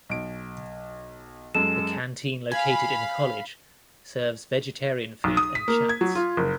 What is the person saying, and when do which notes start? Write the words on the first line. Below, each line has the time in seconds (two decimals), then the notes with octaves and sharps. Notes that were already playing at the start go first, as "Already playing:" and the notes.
The canteen located in the college serves vegetarian food and chats.
0.09 B1 D7
1.55 F#2 G#3 A4 E7
2.52 F5 G#5 B5
5.24 B1
5.37 D#6
5.55 B6
5.68 A#3
5.89 G#6
6.01 F#3
6.15 F4
6.37 F#1